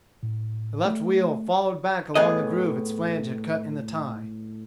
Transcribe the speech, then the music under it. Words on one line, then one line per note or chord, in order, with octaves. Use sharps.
The left wheel followed back along the groove its flange had cut in the tie.
A2
A3
A2 B3 G#4 D#5